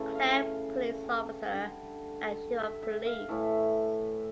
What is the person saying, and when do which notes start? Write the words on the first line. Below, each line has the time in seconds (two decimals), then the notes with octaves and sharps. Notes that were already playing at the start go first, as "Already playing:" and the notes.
Cloud police officer and Chief of Police.
Already playing: C#3 E3 A3
0.15 F5
1.04 G5
1.49 D3 G3
2.61 E5
2.83 E5
3.06 F5
3.29 A2 E3 A3 E5